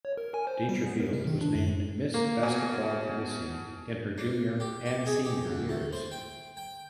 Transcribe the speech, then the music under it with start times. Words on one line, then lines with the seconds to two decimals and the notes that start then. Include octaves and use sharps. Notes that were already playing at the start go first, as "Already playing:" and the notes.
Dangerfield was named Miss Basketball Tennessee in her junior and senior years.
0.05 C#5
0.17 A#4
0.34 G#5
0.47 C5
0.69 G3
0.86 B3
1.00 A#4
1.13 C3
1.27 D#3
1.41 D4
1.55 F#2
2.14 A#3
2.43 B2 G#5
4.18 D4
4.60 G4
4.86 G4
5.06 G#4
5.25 G4
5.47 D2
5.69 A3
5.93 C5
6.11 G5
6.57 G5